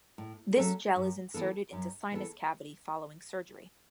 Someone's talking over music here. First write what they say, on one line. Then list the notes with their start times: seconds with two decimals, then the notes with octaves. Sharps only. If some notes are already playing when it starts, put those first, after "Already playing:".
This gel is inserted into sinus cavity following surgery.
0.18 A2
0.57 F#3 A3 C#4 A4
0.96 F#2
1.34 E3 B3 A4
1.73 F#2
2.12 E3 B3 A4